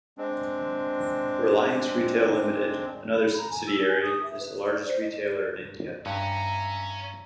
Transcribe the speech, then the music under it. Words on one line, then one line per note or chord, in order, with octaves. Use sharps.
Reliance Retail Limited, another subsidiary, is the largest retailer in India.
G#3 C4 D4
B5
A#5
G#5
E6
G#5
D#6
E5
B4
D5
C5
D#5
D5
G2 C#4 E5 A#5